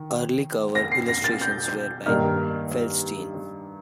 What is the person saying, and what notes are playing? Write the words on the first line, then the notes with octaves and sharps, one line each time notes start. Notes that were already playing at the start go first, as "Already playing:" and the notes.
Early cover illustrations were by Feldstein.
Already playing: D#3
A#6
C7
A#6
A6
G6
G2 D#3 A#3 D#4 F6